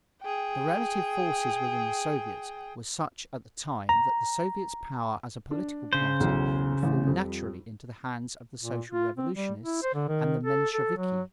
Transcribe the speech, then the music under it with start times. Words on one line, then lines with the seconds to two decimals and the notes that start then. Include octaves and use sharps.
The relative forces within the Soviets were such at the time that the Soviet's power as a political party would fall naturally into the hands of the Social-Revolutionists and the Mensheviki.
0.22 G#4 G5
3.89 A#5
5.51 D4
5.93 C#3 C5
6.20 B1 E2
6.83 A1
7.07 F2 F3 G3
8.61 A#2
8.92 F4
9.17 C4
9.35 G3
9.62 E4
9.82 C5
9.94 D3
10.08 D#3
10.43 A4
10.73 A4
10.97 F#3